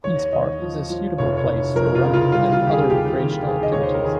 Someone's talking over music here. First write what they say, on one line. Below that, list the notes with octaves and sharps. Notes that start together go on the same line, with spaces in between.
Queens Park is a suitable place for running and other recreational activities.
D#2 C#5
D#2 D#5
F3
F3
F1 C#5
C#5
F1
F3 A#4
F4
C#3
F4
G3 F4
F4
D#2 G4
G#4
D#2 G4
D#2
D#3 G#4
D#5
D#2 C#5
C5
A#4
D#3 G#4